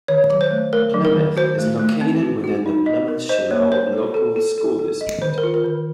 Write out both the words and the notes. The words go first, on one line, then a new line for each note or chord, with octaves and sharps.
Plymouth is located within the Plymouth-Shiloh Local School District.
D#3 C#5
F#3
C5
A3
A3 A#4
F#3
A#4
D#3
F#4 C5
A3
A3
C4
F#4
F#4
D#4
D#5
A#4
C5 D#5
A#3 C#5
A#4 C5
A4
A4
A4
A4
A4
D#5
D#3 C5
A#4
F4
A#4
D#3